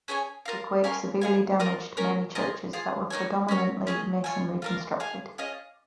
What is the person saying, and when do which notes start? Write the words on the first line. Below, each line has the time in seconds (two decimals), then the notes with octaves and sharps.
The quake severely damaged many churches that were predominantly masonry constructed.
0.08 C#4 G#4 C#5 G#5
0.45 F4 A#4 F5
0.84 C#4 A#4 F5 G#5
1.21 G#4 F5 G#5
1.60 F4 A#4 D#5
1.97 C#4 A#4 C#5
2.35 F4 A#4 D#5 G#5
2.73 F4 G#4 F5
3.10 A#3 D#4 C#5 G#5
3.48 C#4 A#4 C#5
3.87 C#4 G#4 D#5
4.24 F4 C#5 G#5
4.62 F4 A#4 F5
5.00 G#4 F5 G#5
5.38 C#4 F4 G#4 D#5